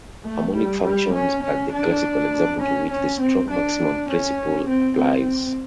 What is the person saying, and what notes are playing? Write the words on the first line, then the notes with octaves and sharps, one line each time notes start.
Harmonic functions are the classical example to which the strong maximum principle applies.
A3
G3
G3
C#4
C#4
D4
C#4
C#4
C4
D4
C#4
C4
C4